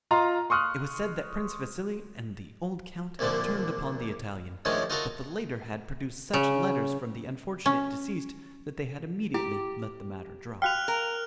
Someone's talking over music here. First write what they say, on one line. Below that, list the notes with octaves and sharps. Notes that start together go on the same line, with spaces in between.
It was said that Prince Vasili and the old count had turned upon the Italian, but the latter had produced such letters from the unfortunate deceased that they had immediately let the matter drop.
F4 D#5 A#5 C6
C6 C#6 D#6 F6 F#6
C2 A#2 D3 F3 D4
A2 D#3 F3 G#3 C#4 D4
D#4 F4 F#4 A4 A#4 F5
C#3
C#4
E4 G4
F#4 F5 G5 F6 F#6 F7
A#4